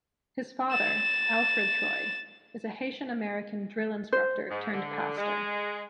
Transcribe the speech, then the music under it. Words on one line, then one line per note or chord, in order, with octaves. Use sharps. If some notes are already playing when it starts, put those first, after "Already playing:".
His father, Alfred Troy, is a Haitian-American drill instructor turned pastor.
A6 E7
C5
G#2
D3
G#3